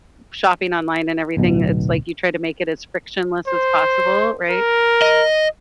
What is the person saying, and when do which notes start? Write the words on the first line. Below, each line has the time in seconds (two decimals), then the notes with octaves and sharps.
shopping online and everything, it's, like, you try to make it as frictionless as possible, right?
1.37 D1 B1 B2
3.48 C5
4.50 A#4
5.02 D#5